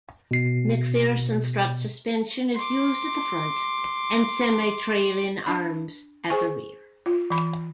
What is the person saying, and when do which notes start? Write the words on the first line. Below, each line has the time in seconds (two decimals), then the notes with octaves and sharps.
MacPherson strut suspension is used at the front and semi-trailing arms at the rear.
0.31 B2 C7
2.54 C6 D6
5.46 D4 A5 B5
6.30 G#4 C5 G#5 C#6
7.06 F4
7.30 E3 B5